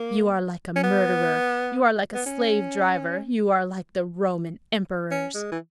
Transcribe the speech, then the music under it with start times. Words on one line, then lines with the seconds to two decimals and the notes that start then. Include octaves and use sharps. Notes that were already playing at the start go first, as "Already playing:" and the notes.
"You are like a murderer--you are like a slave-driver--you are like the Roman emperors!"
Already playing: A#3
0.76 C#4
0.84 B3
2.14 B3
2.26 C#4
5.11 C#4
5.35 G#3
5.52 E3